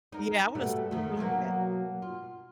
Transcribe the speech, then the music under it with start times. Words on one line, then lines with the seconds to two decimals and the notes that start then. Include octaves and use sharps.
Yeah, I would have assumed that though.
0.12 D#4 A#4
0.55 B2 G3 A3
0.91 F2 D#3 A3
1.17 B2 F#3 A#3
2.02 F4